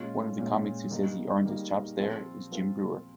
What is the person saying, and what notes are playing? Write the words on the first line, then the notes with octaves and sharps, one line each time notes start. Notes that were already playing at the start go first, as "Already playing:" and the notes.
One of the comics who says he "earned his chops" there is Jim Breuer.
Already playing: A#2 G#3 C#4 F4
A#2 G#3 C#4 F4
D#3 G3 A#3 D#4
D#3 G3 A#3 D#4
F3 C4 F4
F3 C4 F4